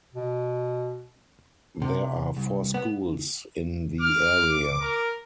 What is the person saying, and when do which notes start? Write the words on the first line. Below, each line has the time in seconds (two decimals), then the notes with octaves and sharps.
There are four schools in the area.
0.14 B2
1.82 C3
2.36 C2
2.74 B3
4.01 D6 F6
4.81 A#4